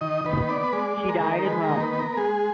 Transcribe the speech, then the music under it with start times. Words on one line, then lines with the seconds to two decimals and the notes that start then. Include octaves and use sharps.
She died in Rome.
0.01 D#3 D#5
0.25 D#3 B4
0.49 B3 D5
0.64 B4
0.73 G#3 D5
0.97 G#3
1.09 A#4
1.21 D#3
1.45 G#3 B4
1.64 A#4
1.69 D#3
1.80 B4
1.93 B3
1.99 A#4
2.17 G#3 G#4